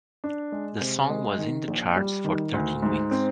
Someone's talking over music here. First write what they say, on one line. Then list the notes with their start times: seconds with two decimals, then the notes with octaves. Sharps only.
The song was in the charts for thirteen weeks.
0.24 D4
0.52 G#3
0.81 C3
1.10 G#3
1.39 D#3
1.68 A#1
1.96 G3
2.25 D#3
2.54 D2
2.82 G#2
3.11 C4